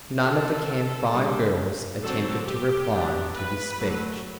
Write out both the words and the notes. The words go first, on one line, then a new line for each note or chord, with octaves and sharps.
None of the Camp Fire Girls attempted to reply to this speech.
F#3 C4 A4
G3 D4
D3 F#3 C4 A4
G4
F#3 B3 D4
B4
D3 F#3 A3